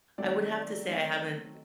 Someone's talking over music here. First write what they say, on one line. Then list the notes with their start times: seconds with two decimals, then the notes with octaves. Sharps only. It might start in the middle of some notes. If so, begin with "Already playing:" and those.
I would have to say I haven't
0.18 D#3 F#3 A3 C4 D5
0.85 D#3 F#3 A3 C4